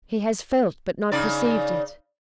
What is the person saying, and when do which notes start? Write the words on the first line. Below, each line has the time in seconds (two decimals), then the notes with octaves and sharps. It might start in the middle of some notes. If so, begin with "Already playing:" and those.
He has felt but not perceived it.
1.12 C#3 D#4 D5